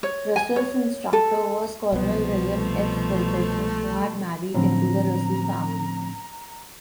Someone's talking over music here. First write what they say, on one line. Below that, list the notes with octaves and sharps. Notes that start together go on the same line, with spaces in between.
Russell's instructor was Colonel William H. Fulkerson, who had married into the Russell family.
C#5
G#5
C#5
A4
C2 B2 F3 B3
A3
A2 D3 F3 C4 C#4 A#5